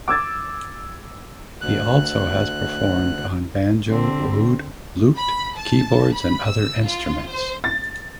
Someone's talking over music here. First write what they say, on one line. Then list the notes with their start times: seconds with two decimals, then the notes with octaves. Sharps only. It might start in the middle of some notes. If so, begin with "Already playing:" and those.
He also has performed on banjo, oud, lute, keyboards and other instruments.
0.08 D6 E6 G#6 A6
1.61 D2 F#6
3.89 D3 C4
5.18 B5
5.57 A5
6.13 B5
6.47 E6
6.85 F4
7.29 C5
7.64 A6